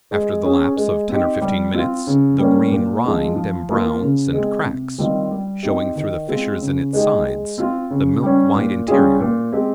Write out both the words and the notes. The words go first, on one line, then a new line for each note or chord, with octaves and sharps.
After the lapse of ten or fifteen minutes, the green rind embrowns and cracks, showing through the fissures in its sides the milk-white interior.
G#3
C#4 G#4
G#3
C4 D#4 G4
G3
C4 F4
C#3
G3 A#3 C#4
A#2
F3 G#3 C4
F3
A#3 F4
C#3
G#3 C4
C3
D#3 G3 C4 F4
G3
C4 D#4 G4
D#3
G#3 C4 F4
C#3
G#3 D#4 G4
G#3
C4 F4
C#3
G3 C#4
A#2
G3 C#4 F4 G#4
A#2
G#3 C4 G4